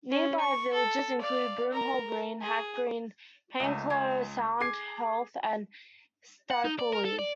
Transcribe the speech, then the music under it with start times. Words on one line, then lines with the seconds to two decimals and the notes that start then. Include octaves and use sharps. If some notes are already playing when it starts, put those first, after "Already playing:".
Nearby villages include Broomhall Green, Hack Green, Hankelow, Sound Heath and Stapeley.
0.10 C#4
0.40 C#6
0.73 A4
1.21 D5 F5
1.72 A#4 A#5
2.42 G#4
3.60 C#2 A3 D#5
3.90 G#3
4.60 G#4 D6 C7
6.50 F#5
6.65 D#4
6.79 D5
6.93 A#4
7.05 A4
7.19 D5